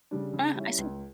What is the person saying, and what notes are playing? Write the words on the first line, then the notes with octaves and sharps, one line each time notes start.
Ah, I see.
C#3 G3 D4
C#3
G3 C#4 E4
C#2